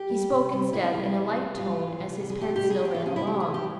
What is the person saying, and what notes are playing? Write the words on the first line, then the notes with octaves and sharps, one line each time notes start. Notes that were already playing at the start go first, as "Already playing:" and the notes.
He spoke instead, in a light tone, as his pen still ran along.
Already playing: G4
G3
C3
G3
C3 E4
G3
C3
C3
G3 F4
E3
C3
G3
G#4
C3 G4
G4
G3
G#4
C3 G4
F4
C3 C#4
E4
G3 G4
G#4
E3
G4